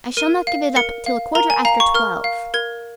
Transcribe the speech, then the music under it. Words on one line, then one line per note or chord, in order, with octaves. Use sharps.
I shall not give it up till a quarter after twelve.
A#4 D#7
F5
A#4 C#7
F5
A#4 A#5
G#5
F5 A#5
C#6
A#4 F6
F5
A#4 G#6